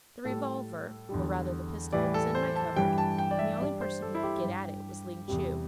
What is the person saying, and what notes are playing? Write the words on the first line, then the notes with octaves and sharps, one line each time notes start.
The revolver, or rather the pistol, was in my cupboard and the only person who could get at it was Ling Chu.
A2 G3 A4
E2 D3 G3
A2 E3 G3 D5
A4
C5
A5
G2 E3 G3 G5
A5
G5
D5
E5
G2 G3 D5
C5
A4
E4
G4
G2 G3
E2 C3 G3